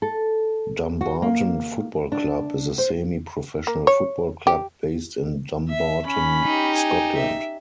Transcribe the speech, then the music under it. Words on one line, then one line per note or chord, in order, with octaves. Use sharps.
Dumbarton Football Club is a semi-professional football club based in Dumbarton, Scotland.
A4
F#4
A#3
D4
C5
A#3
C#5
G4
E5
C#4 B5
D#4 G4
G#5
E5